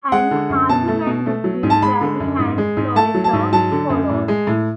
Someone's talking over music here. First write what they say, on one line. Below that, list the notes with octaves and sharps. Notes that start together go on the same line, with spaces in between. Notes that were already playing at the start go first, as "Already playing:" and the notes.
An argument between Brady and Loretta follows.
G#3 F#5
D3
F#2
B2 A5
A3
B2
A3
F#3
G#2
A5
G#3 B5
D3
F#2
G#2
G#3
G#2
A3 A5
F#3
A5
G#2
F#3 A5
D3
F#2
A2
G#3
A2